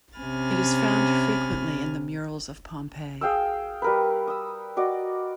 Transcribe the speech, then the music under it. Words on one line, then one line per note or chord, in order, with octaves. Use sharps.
It is found frequently in the murals of Pompeii.
C3 C#4 G#5 B5 F6 A6
G#4 F5 G5 E6
G3 A#4 B4
D#6 E6
F#4 D5 D#5